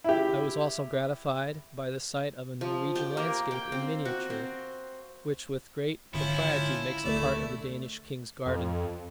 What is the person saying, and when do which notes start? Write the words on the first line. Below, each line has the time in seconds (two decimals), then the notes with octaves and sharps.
I was also gratified by the sight of a Norwegian landscape in miniature, which with great propriety makes a part of the Danish King's garden.
0.04 E4 G4
2.61 F3
2.95 G4
3.17 A#3
3.51 G5
3.72 C4
4.05 F#4
4.30 C4
6.14 G#1 G#2 D3 F3 C#4 E4
7.04 D1 D2 A3 D4 D5
8.46 F2